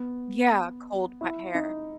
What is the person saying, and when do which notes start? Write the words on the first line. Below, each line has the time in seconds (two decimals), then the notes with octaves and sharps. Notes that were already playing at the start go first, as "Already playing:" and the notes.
Yeah, cold, wet hair.
Already playing: B3
1.21 E4
1.55 D#4